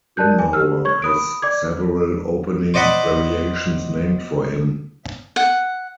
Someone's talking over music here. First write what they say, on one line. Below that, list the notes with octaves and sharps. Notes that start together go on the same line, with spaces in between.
Winawer has several opening variations named for him.
A#4 D5 A5 F#6 G6
G#5
G4 E6 F6
C#5 C#6 G#6
B5 D#6 D7
D5 D6 G#6
C5 D5 D#5 F#5 B5
F#5